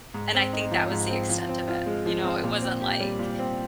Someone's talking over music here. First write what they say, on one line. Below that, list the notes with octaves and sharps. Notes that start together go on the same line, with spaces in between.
And I think that was the extent of it. You know? It wasn't like,
G#2
C4
D#4
F3
G#2
C4
F3
C4
F4
G#3
F3
C4
A#2
C4
G4
G3
A#2
C4